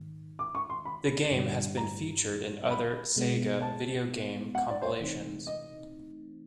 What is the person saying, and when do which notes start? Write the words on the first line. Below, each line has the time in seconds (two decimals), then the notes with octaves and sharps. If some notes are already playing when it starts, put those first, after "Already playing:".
The game has been featured in other Sega video game compilations.
Already playing: G#2 D#3
0.39 D6
0.55 C#6
0.70 C6
0.85 B5
1.32 G2 D3 G3
1.77 A#5
2.71 B5
3.16 B2 G#3 B3
3.62 A5
4.55 F#5
4.70 D5
4.82 C5
4.85 C#5
5.01 C3 E3 A3 C4 D#4
5.47 D#5